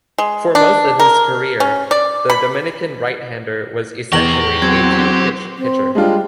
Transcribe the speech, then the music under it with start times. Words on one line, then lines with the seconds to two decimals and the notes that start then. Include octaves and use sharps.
For most of his career, the Dominican right-hander was essentially a two-pitch pitcher.
0.18 G#3
0.55 D4
0.99 A#4
1.60 C#4
1.91 D5
2.30 B5
4.12 E2 C4 G4 C#6 A#6 F#7
4.40 G4
4.62 F#3 C4 G#6
5.58 C4
5.95 G3 G#3 D4 F4